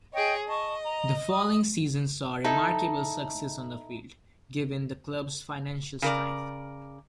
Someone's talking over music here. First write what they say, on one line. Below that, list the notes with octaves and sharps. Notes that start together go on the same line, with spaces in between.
The following season saw remarkable success on the field, given the club's financial strife.
G#4 C#5 D#5 G5
D#5 A5 C#6
A#5
D#6
D#4 E4 A4
C#3 A#4 D5